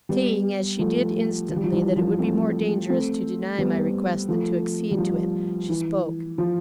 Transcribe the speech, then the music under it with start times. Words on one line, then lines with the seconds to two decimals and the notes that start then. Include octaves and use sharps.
Seeing, as she did instantly, that it would be more dangerous to deny my request than to accede to it, she spoke.
0.09 G3 B3
0.79 F3 A3
1.49 F3
1.56 G3
1.63 F3
1.72 E3 G3
1.96 F3
2.19 A3 C4
2.89 A3 C4
3.59 G3 B3
4.29 F3 A3
4.91 G3
4.98 F3
5.69 E3
6.38 F3